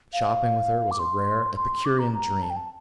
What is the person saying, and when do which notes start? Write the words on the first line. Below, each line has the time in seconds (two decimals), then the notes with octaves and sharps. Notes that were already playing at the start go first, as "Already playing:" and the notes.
Shopping with her was a rare, epicurean dream.
0.13 F5
0.91 D6
0.99 C6
1.57 C6
1.85 D6
1.99 A#5
2.14 A#5
2.42 A5
2.50 G5
2.57 A5